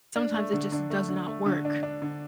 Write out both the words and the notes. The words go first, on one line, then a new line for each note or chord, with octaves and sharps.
sometimes it just does not work.
D4
A3
D3
D3
A3
D3
A3
D3
D4
D4
D3